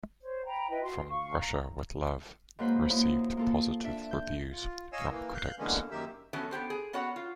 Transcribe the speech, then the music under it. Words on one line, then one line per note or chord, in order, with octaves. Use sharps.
"From Russia With Love" received positive reviews from critics.
C5 C#5
G5 A#5 B5
E4 B4 D#5 G5
F#4 C6
F5 C#6
A#5
G#2 F#3 A#3 B4 C5 B5
F#2 A#3 E4 F4 D#6
A#3 F4 A4
D4 E5
G6
F4
C#5 D#5 F5 G#5 E6
E3 A#3
F5 F#6 G6
D3 E3 G#3 A#3 B3 C#4
F#2 D#3 A#3 G4 E5
E3 F#3 A3 B3 C#4
B3 C4 G4 C5
G#4
B3 C#4 F#4 C#5 F#5
F4